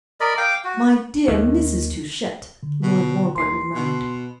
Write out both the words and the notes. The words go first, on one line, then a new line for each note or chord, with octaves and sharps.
"My dear Mrs. Touchett!" Lord Warburton murmured.
A#4 D5 D#5 B5
F5 G5 D6
F#4
D#2
D3
B2
D#2 C6 C7
B2